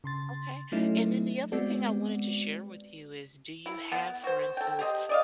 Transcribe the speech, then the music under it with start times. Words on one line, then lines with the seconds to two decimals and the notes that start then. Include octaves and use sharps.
Okay. And then the other thing I wanted to share with you is, do you have, for instance,
0.04 C#3 C6 A6
0.72 F#3 A3 C#4 D#4 E4
1.52 G#3 B3 C4 F#4 D5
3.66 E4
3.92 B3
4.24 F#4 C5
4.57 A4 G5
4.79 G4 C5 D#5
5.09 D5 D#5 F5